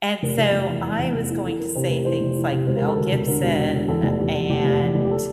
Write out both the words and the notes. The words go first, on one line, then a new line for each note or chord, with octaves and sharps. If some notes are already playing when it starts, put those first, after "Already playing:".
and so I was going to say things like, Mel Gibson and,
F1 A#4
F1
F1
E2
E2
E2
F1
E3
E3 A4
E3 A#4
C3 C5
F1 A#4
E3 C5
F1
E3
C3
E1 C5
A#4
E1 A4
D2 A#4
E1
D3 A#4
E1
D3
D3
E2 A4
F1
E2 G4
E2
F1 G4
F1
E2
F1
G4
A4